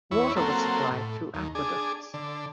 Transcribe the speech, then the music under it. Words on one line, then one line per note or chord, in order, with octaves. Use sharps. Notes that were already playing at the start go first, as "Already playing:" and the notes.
Water was supplied through aqueducts.
E2 E4 C#5
F#3 A#3 C4 A4
A2
D#2
D4 G#4
D3